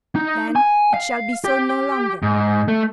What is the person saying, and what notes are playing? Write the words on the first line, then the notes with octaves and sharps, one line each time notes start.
'Then it shall be so no longer!
D#4
G#5
F5
G4
G#2
A3